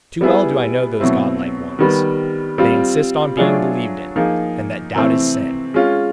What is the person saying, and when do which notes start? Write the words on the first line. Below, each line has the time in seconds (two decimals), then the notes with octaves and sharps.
Too well do I know those godlike ones: they insist on being believed in, and that doubt is sin.
0.21 G3 B3 E4 G#4
1.00 B2 F#3 A3 C4 E4
1.79 D#3 G3 B3
2.58 G3 C4 F4
3.37 F#3 A3 D4 F4 G#4
4.16 F3 A#3 D#4 G#4
4.95 C3 E3 A3 C4
5.74 G#3 C#4 F4